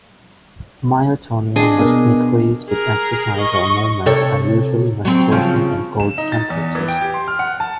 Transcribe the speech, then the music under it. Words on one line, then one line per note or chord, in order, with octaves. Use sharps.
Myotonia must increase with exercise or movement and usually must worsen in cold temperatures.
D4 G#4 D#5
B2 A#4
G#4 A#4
D#5 C#6
C3 A4 C#5
F#3 C4
C#3 F3
E7
D#4
A6
E2
E3
G5
G4
C6
F6
F#5
A5